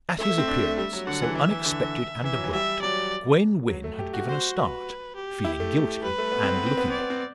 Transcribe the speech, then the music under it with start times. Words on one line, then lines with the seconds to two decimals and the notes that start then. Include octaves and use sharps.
At his appearance, so unexpected and abrupt, Gwen Wynn had given a start--feeling guilty, and looking it.
0.19 A3 E5
0.29 A3
0.38 C4
0.48 D4
0.63 A3
0.78 G3 E5
0.93 F#3
1.07 D3 F#5
1.22 E3
1.35 E3 E5
1.51 E3
1.66 D3
2.24 E3 E5
2.34 F#3
2.44 E3
2.52 G3 E5
2.82 F#3 D5
3.69 F#3
3.84 A3
3.99 G4
4.13 F#4
4.29 F#4 C5
4.57 B4
5.16 G4
5.45 E4
5.60 A3
6.03 G3 B4
6.18 A3
6.32 B3
6.43 C4
6.55 B3
6.66 C4
6.78 B3
6.88 C4 D5
6.99 B3
7.10 C4